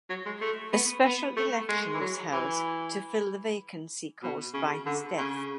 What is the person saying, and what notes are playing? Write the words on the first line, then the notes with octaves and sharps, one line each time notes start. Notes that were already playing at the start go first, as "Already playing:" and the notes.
A special election was held to fill the vacancy caused by his death.
F#3
G#3
A3
B3
B3
A3
G#3
E3
F#3
E3
B2
C#3
D3
C#3